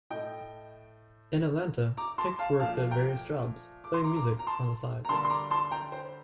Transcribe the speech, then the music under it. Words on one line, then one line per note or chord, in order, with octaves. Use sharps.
In Atlanta, Hicks worked at various jobs, playing music on the side.
A2 A3 D#5 G5
A#5 D6
A5 C6
F5 A5
A#2 F3 A3 F5 A5
G5 A#5
D6
C6
A#5 D6
A#5 D6
A#5
A5 C6
A#5
D3 G3 A#3 A5 C6
C6
A#5 D6
A5 C6
G5 A#5
C5